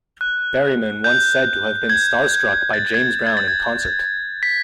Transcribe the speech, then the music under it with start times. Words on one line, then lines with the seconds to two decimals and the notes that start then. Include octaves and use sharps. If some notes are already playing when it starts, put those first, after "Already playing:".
Berryman once said to have been starstruck by James Brown in concert.
0.21 F#6
1.04 G6
1.90 G#6
2.73 A6
2.94 G#6
3.27 G#6
3.37 A6
3.48 G#6
4.43 B6